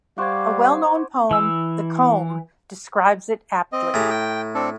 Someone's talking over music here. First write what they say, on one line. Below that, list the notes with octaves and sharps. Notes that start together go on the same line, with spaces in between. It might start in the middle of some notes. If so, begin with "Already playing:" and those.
A well-known poem, "The Combe," describes it aptly.
G3 C5 D5 F5 F#5 C#6 G#6
E3 E6
C4 D#5
A2 G4 G#4 A#5
G5
C4 D4 A4